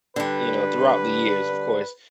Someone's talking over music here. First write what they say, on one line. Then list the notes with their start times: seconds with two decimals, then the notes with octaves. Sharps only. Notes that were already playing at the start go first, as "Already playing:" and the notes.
you know, throughout the years, of course,
0.16 D3 G3 B4